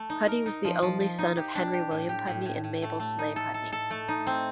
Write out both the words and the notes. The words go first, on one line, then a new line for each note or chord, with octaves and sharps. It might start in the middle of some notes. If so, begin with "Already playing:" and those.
Pudney was the only son of Henry William Pudney and Mabel Sleigh Pudney.
Already playing: A3
D#4
A#4
D#4
F3
F3
F3
D#4
G4
D4
G4
A2
G4
A2
A2
A2
A3
A3
D#4
A4
A4
A4
A3
D#4
C4